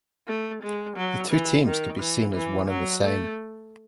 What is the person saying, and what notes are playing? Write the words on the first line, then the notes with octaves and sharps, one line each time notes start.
The two teams could be seen as one and the same.
A3
G#3
F#3
E3
D#3
E3
E3
F#3
A3